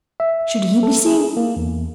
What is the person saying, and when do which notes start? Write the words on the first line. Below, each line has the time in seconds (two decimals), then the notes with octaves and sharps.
Should he be seen?
0.20 E5
0.83 A4
1.06 G#4
1.37 A#3
1.56 E2